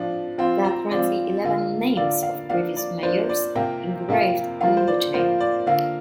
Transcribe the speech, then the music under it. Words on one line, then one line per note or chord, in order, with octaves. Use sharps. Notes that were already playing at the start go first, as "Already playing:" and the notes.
There are currently eleven names of previous mayors engraved on the chain.
Already playing: F3 D4 F4
F3 C4 F4 C6
A#5
F3 C4 F4 D5
D3 A#3 F4
D3 A#3 F4 D5
F5
F3 A#3 D4 F5
D5
F3 A#3 D4 C5
D5
C3 A#3 F4 G5
C3 A#3 F4
F3 A#3 F4 F5
C5
D5
F3 A#3 F4 C5
D5
D3 A#3 F4 F5